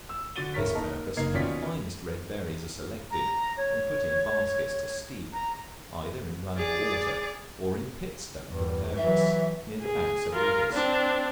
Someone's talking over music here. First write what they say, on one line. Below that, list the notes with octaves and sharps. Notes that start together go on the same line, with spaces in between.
For this purpose the finest red berries are selected, and put in baskets to steep, either in running water, or in pits dug for the purpose, near the banks of rivers.
E6
D3 F#4 A6 D#7 G7
D#1 E4 A#4 C#5 B6
A#3 D#4 A#4 A5 A#5
F#1 A#3 D#4 G#6 C7
D#2 B2 C#4 F4 D5 B6
A#5
C#5
A#5
G#4 D5
E2 G2
E3 F#3 E5
G#4
F4 A#4
C4 D4